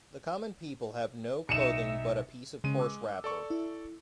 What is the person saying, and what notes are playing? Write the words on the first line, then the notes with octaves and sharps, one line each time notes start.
The common people have no clothing but a piece of coarse wrapper.
B1 D#4 E5 C#7 D#7 E7
C#3 G#3 C#4 D#7
D6 E6
A4 D5 C#6
E4